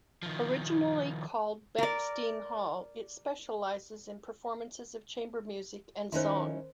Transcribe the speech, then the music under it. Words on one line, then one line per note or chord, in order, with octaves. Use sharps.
Originally called Bechstein Hall, it specialises in performances of chamber music and song.
D#3 F3
A#4 D5
D#3 C#4 D#4 E4 C5 C6